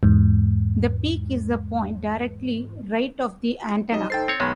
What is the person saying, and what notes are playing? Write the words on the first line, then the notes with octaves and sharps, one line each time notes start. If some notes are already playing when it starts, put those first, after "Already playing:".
The peak is the point directly right of the antenna.
E2 G#2
F#3 G3 D#4 D#5 E7
D#4 A4 C5 G5 A6 C7
C4 C#5
B1 D#3 G#3 B3 C#5 B5